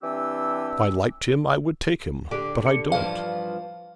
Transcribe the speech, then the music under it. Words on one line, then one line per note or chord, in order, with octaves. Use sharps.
If I liked him, I would take him, but I don't.
E3 G3 C4 D4 G4 E6
D3 G4
C#7
G2 E3 F3 F5